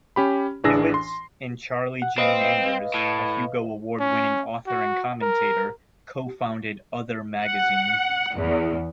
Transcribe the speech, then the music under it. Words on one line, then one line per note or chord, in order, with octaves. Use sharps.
Newitz and Charlie Jane Anders, a Hugo award-winning author and commentator, co-founded "Other" magazine.
C#4 G4 B5
A1 E3 D4 G#4 E6 A#6
C6
F#5
C4 B4 D#5 F5
A2
C#4
F#4
A#4
F#5
E2